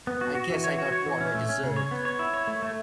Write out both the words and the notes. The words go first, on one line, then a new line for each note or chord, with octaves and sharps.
I guess I got what I deserved.
B3
F#4
F#4
E3
C#5
F#4
C#5
E3
C#4
A3
C#4
C#3
C#5
B3
C#5
E4
C#5
A3
A3